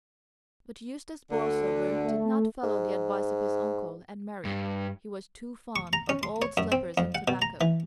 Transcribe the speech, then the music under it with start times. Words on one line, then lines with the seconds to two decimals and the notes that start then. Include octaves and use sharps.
But Eustace Borlsover did not follow the advice of his uncle and marry. He was too fond of old slippers and tobacco.
1.31 D2 D3
2.05 A3
2.63 G#2
4.45 G2
5.76 C#6
5.93 A#5
6.09 C#4
6.23 C6
6.42 C#5
6.57 F#2
6.72 C4
6.98 F2
7.15 F#5
7.28 B2
7.42 A#5
7.61 E3